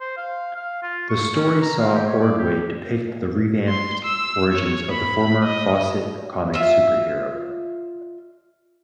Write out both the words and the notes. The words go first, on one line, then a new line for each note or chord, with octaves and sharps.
The story saw Ordway depict the revamped origins of the former-Fawcett Comics superhero.
C5
F5
F5
F4
C#6
C#4
A#5
F5
G4
C#5
D5
G4
C6
E6
C#5
B5
D#5
F4 E5